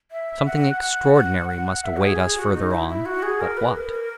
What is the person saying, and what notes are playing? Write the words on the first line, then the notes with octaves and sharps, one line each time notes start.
Something extraordinary must await us farther on, but, what?
E5
F#5
F#5
F#5
F#5
E5
F#4
G#4
G#4
F#4
D#4
E4
E4
F#4
G#4
A#4
B4
A#4
A#4